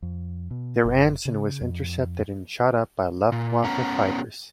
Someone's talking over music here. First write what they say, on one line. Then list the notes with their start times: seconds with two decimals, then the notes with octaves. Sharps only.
Their Anson was intercepted and shot up by Luftwaffe fighters.
0.02 F2
0.51 B2
0.85 F#1
1.25 C#3
1.61 F2
3.32 A#2
3.64 B3 C#4 F#5 A#5